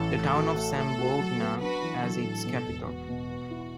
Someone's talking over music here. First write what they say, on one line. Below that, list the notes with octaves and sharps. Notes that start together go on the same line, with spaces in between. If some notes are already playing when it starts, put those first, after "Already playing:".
The town of Zamboanga as its capital.
Already playing: A1 E4 A4
A3
F#4
A3
A3 A4
F#4
F#3
B3
D4 F#4 B4
E3
F#3 A4
A2
B2
E1
B3 F#4
B2
B4
E4